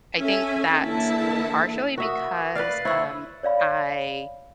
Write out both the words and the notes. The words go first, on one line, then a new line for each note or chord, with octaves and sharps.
I think that's partially because, um, I
C#4 A4 E5 G#5
D3 E3 A#3 E4 E5 A5
F#4 A#4 E5 D#6
B4 D5 F5 F#6 A6 C7
E4 C5 C#5 E5 E6
C#5 D5 F5 B5